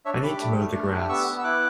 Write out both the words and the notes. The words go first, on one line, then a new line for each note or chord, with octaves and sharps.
I need to mow the grass.
D4 C#5 E5
G4 B5 D6
A3
A3
D4
G4
B3 C#6 E6
B3
E6
E4 D6 F#6